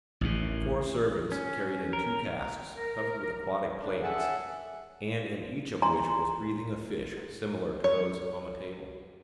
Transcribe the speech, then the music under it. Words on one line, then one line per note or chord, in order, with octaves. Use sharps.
Four servants carried in two casks covered with aquatic plants, and in each of which was breathing a fish similar to those on the table.
A1 D#2 C3
C#4
A#4
A#4
C#3 D4
G#4 A4 E5 F#5 A5
G#5 A#5 C6
C#5